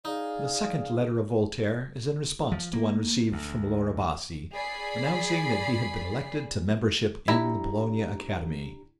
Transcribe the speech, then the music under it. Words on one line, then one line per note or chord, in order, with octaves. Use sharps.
The second letter of Voltaire is in response to one received from Laura Bassi announcing that he had been elected to membership in the Bologna Academy.
D#4 G#4 D5 F5
F3
A#3
D2
G#4 D5 B5 C7
D4 E4 G4 A#5